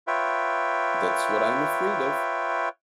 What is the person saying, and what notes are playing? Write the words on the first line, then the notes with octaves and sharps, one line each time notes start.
That's what I'm afraid of.
F4 B4 C#5 E5 G5